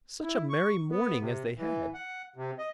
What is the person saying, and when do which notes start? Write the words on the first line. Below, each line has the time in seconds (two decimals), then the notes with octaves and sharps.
Such a merry morning as they had!
0.23 E4
0.50 C#6
0.90 B3
1.20 C3
1.57 E3
1.94 F#5
2.36 C3
2.59 D#5